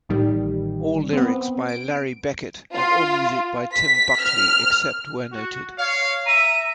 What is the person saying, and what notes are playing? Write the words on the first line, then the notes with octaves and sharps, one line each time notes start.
All lyrics by Larry Beckett and all music by Tim Buckley, except where noted.
A1 D#3 G3
B3 C4
D7
F4
B6
F6
F#4
C#5 F5
E5 A#5 D#7